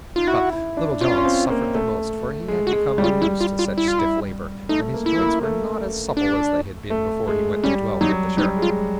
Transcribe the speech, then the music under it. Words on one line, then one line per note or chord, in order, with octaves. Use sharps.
But Little John suffered the most, for he had become unused to such stiff labor, and his joints were not as supple as they had been before he went to dwell with the Sheriff.
D#4 F4
E4 F#4
E4
D4
C#4 F4
C#4
C4
A#3
A3
G#3
F#4
G#3
G3
F4
G3 E4
F4
F4
E4
F4
E4
A3 D#4
A#3
E4
A#3
A3
D4
A3
G#3
G3 C#4
F#3 D#4
G3 D#4
G#3
F4